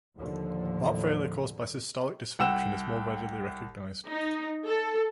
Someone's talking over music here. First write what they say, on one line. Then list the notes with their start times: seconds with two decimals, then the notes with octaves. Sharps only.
Heart failure caused by systolic dysfunction is more readily recognized.
0.16 D#2 A2 D3 F3
2.39 C2 F#5 G5 E6 E7
4.08 D#4
4.65 A4